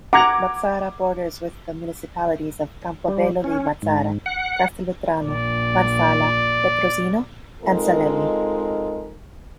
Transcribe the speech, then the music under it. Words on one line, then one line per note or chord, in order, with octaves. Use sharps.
Mazara borders with the municipalities of Campobello di Mazara, Castelvetrano, Marsala, Petrosino and Salemi.
F#5 A#5 D6 G#6
G3
C#4
G#2
F#5
A#1 D5
G#3 C4 D#4 F4 A4 A#4